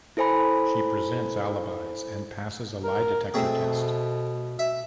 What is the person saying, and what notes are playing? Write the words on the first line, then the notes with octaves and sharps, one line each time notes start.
She presents alibis and passes a lie detector test.
E4 A4 C5 G#5 B5
A#4
B2 A3 C4 G#4
B2 E5